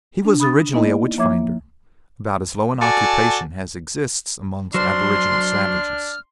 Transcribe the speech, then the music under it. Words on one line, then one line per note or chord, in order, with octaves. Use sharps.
He was originally a witch-finder--about as low an occupation as exists amongst aboriginal savages.
D4
B5 D#6 F#6 A6
A#3 B3 D#4 E4 D#5
D5
F3 A#3 C#5 E5 D6 G#6
F#4 A4 D5 G#5 A5
F#3 D4 C5 C6 F6